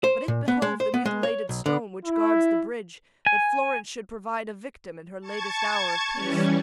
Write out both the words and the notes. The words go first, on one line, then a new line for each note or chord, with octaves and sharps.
But it behoved the mutilated stone Which guards the bridge, that Florence should provide A victim in her latest hour of peace.
C5
A#2
B3
G#3
C5
B3
G#3
C#5
B1
D3
E4
G#5
A5 C#6 G#6
E3 G3 C#4